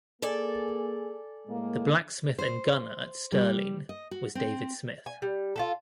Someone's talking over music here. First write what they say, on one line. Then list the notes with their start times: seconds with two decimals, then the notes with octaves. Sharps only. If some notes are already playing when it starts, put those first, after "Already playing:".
The blacksmith and gunner at Stirling was David Smith.
0.22 A#3 G#4 A4 D5 G#5
1.47 A2 G#3 A#3
2.39 C5
3.32 G3
3.89 D#5
4.11 F#4
4.35 C4
5.06 G#5
5.22 G3
5.56 F4 G4 A4